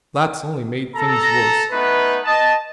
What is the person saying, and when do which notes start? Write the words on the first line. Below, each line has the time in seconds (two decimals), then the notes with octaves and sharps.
That's only made things worse.
0.96 A4 A#5
1.72 A3 B3 D#4 B4
2.24 D#5 A5